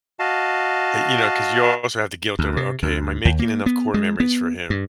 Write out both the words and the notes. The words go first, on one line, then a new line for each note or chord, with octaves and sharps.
Y you know, 'cause you also have the guilt over, "Okay, am I making enough core memories for him
F#4 D#5 F5 A5
D2
C3
D2
D#2
A#3
B3
G#3
B3
G2